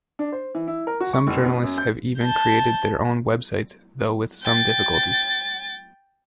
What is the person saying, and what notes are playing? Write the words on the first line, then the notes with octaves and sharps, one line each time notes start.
Some journalists have even created their own websites, though with some difficulties.
D4
C5
E3
E4
A#4
F#4
C#6
F#1
B3
F#2
G6
A5 G6
G5 A6